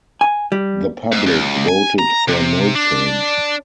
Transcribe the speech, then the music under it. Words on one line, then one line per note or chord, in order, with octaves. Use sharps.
The public voted for no change.
G#5
G3
G#2
C#2
G#5
A#5
C3
D4